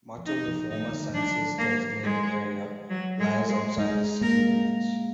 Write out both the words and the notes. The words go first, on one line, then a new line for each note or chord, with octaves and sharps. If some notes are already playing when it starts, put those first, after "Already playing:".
Much of the former census-designated area lies outside the city limits.
F3
D#3 D#4
F3
D#3 D#4
D3
F#3
F3 D4
A#3
G#3
F#3
G#3
G#3
G#3 D#4
A#3 A#4